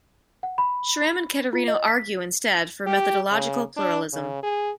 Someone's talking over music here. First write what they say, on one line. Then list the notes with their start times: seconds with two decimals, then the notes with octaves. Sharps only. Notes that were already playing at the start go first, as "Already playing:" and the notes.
Schram and Caterino argue instead for methodological pluralism.
0.43 F#5
0.58 B5
1.53 F4
1.68 D#5
1.88 B6
2.87 G4
3.32 C#3
3.77 D4
4.13 C#3
4.43 G#4